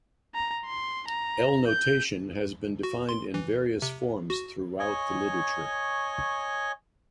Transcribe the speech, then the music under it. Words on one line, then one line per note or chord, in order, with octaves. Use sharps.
L-notation has been defined in various forms throughout the literature.
A#5
C6
A#5
G6
F#4
C6
E3
C3
F#4
C#5 D#5 G#5 C#6